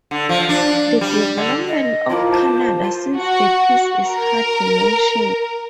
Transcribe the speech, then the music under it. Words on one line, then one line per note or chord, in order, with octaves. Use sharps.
The development of Canada since the peace is hardly mentioned.
D3
F3
D4
G3
D3
D#5
F3 A#3 E4
C5 A5
F4
F#4
A#4